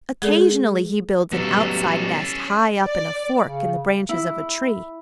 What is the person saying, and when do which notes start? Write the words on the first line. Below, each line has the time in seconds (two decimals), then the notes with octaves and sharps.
Occasionally he builds an outside nest high up in a fork in the branches of a tree.
0.22 G#3 G#4 A4 D5
1.32 F#3 G3 B3 C#4 A4
2.83 D5
3.43 C#3
4.09 E4